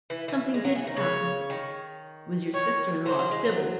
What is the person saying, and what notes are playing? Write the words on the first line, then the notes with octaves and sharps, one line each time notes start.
Something did stop me; it was your sister-in-law, Sibyl.
E3
E3
G#3
F#3
E3
D#3
C#3 C#5
D#3
D#3 C#5
F#3 A3 C5
F#3
G#3
F#3